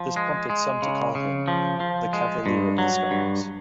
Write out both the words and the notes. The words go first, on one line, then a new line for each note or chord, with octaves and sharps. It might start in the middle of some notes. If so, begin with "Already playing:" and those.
This prompted some to call him, "The Cavalier of the Skies".
Already playing: F3
G#3
G#3
C#3
C#3
F3
F3
G#3
G2
F#3
G2